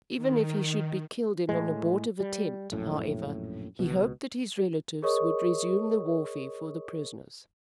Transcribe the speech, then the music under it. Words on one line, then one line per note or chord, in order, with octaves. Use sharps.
Even if he should be killed in an abortive attempt, however, he hoped that his relatives would resume the warfare for the prisoners.
D#3
A2 G#3
G3
A#1 F#2 A2
C#2 B2
G#4 A#4 C#5 D#5 C#6 D#6